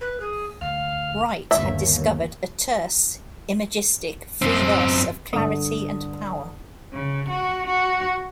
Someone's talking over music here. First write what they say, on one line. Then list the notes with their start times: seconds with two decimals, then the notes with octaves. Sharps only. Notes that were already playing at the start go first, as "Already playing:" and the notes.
Wright had discovered a terse, imagistic, free verse of clarity, and power.
0.01 B4
0.20 G#4
0.61 D2 F5 F6
1.51 G1 D#2 E5
4.42 F#2 C4
5.33 G2 D3 D#6
6.92 C#3
7.29 F#4
7.66 F#4